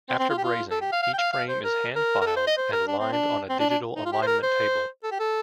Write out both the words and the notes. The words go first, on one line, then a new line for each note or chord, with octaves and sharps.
After brazing, each frame is hand filed and aligned on a digital alignment table.
C4
C4
F4
G4
F4
A4
G4
F5
F5
G5
F5
F5
C5
A#4
A#4
A#4
A4
C5
D#5
C5
A#4
D4
C4
D4
C4
D4
D4
D#4
F4
G4
C5
A#4
C5
A4
G4
A4